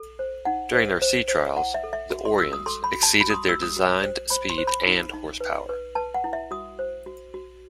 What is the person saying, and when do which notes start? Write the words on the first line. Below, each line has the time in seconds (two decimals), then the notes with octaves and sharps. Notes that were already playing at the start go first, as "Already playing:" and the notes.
During their sea trials, the "Orion"s exceeded their designed speed and horsepower.
Already playing: A4
0.19 C5
0.45 D#4 F#5
0.73 C5
1.02 C5
1.28 C5
1.56 E4 F#5
1.74 E5
1.84 A4
1.93 E5
2.10 F#4
2.25 C6
2.38 F#4 E6
2.53 D#6
2.66 A4 C6
2.84 B5
2.94 F#4
3.03 A5
3.21 F#4 B5
3.30 D#6
3.34 C6
3.49 F#4 E6
3.63 D#6
3.76 F#4
4.03 C5
4.30 C5 B5
4.50 C6
4.58 C5
4.67 B5
4.87 D#4
5.14 D#4
5.41 B4
5.69 B4
5.95 B4 A5
6.14 F#5
6.24 E4
6.33 E5
6.51 F#4 D#6
6.79 C5
7.06 F#4
7.34 F#4